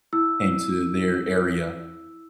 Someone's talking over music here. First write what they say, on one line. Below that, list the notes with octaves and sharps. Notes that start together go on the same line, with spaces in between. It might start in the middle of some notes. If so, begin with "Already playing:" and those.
came to their area
E4 E6